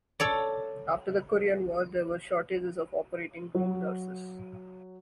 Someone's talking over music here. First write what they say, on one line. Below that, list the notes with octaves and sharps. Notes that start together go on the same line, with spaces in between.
After the Korean War there were shortages of operating room nurses.
A4 C#5 D5
F#3